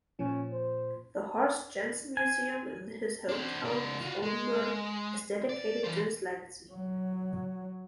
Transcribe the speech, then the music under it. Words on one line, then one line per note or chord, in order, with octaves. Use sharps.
The Horst Janssen Museum in his hometown of Oldenburg is dedicated to his legacy.
A#2 F3 C#4
C5
G#5
D4 C5
C#3 D5
F4 F#4
G#3
D5
E3 C5
F#3